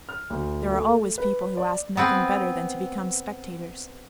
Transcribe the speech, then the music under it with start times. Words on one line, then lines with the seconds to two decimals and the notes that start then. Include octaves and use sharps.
There are always people who ask nothing better than to become spectators.
0.09 F6
0.30 D2
0.72 A3
1.18 B4
1.57 D5
1.97 B3 C4 B4